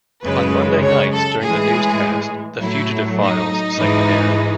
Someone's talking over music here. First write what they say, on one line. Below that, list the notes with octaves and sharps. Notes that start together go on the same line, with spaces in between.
On Monday nights during the newscast, the "Fugitive Files" segment aired.
F#2 C#3 G#3 B4
C#5
A4
A2 E3 G#3 G#4
A2 F#3 A3 E4
D#4
G#2 E3 G#3